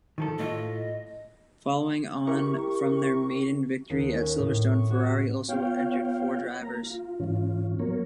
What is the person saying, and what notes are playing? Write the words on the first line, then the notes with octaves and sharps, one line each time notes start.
Following on from their maiden victory at Silverstone, Ferrari also entered four drivers.
D#3 F3 A4
A2 A3 F4 D#5
E4 G4 A#4 C#6
D#2
C#4
A2
C#6
F#4
B3 F4 C#5 F5 G5
A#3 A#5
F4
G#2 E3 C#4 F4
F#3 A#3 B3 A#4 C#5